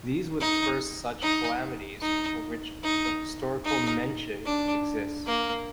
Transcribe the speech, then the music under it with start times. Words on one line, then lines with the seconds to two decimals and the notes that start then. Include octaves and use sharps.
These were the first such calamities for which the historical mention exists.
0.40 D#4
1.22 D#4
2.02 D#4
2.83 D#4
3.64 D#4
4.45 D4
5.26 A#3